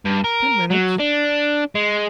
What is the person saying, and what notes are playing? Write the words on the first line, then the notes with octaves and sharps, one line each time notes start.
"Ten minutes."
G2
A#4
F#3
D4
G#3